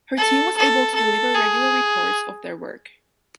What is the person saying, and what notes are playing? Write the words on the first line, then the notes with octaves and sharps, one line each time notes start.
Her team was able to deliver regular reports of their work.
A4
A4
A4
G#4